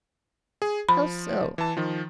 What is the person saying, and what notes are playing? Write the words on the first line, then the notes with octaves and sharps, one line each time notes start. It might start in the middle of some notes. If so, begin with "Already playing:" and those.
"How so?"
G#4
F3 B5
E3 A5
D#3 F3